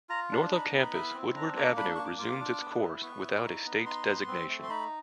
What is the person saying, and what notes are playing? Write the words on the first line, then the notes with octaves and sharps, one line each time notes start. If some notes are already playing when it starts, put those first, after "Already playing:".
North of campus, Woodward Avenue resumes its course without a state designation.
F4 A#5
D4
D#4 B5
A#5
B3 B5
E4
C4
D4 A#5
A#3 A#5
D4 B5
A#3 C#6
D6
F4 D6
D4
B3
E4
B3 C#6
E4
D#4
B3
D#4 C6
B3
C4
A3
C6
D#4 B5